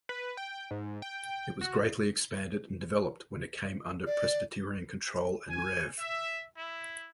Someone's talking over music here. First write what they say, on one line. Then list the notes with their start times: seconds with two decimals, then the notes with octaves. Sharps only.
It was greatly expanded and developed when it came under Presbyterian control and Rev.
0.09 B4
0.37 G5
0.71 G#2
1.02 G5
1.61 F#4
4.07 D5
5.50 G#5
5.99 E5
6.57 E4